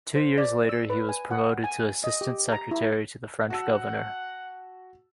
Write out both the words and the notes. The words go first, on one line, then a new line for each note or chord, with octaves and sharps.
Two years later he was promoted to assistant secretary to the French governor.
C5
D5
E6
B4
G#5
F#5
G#5
D#5
G4
A#5
E4
F#4 F#5 A5 E6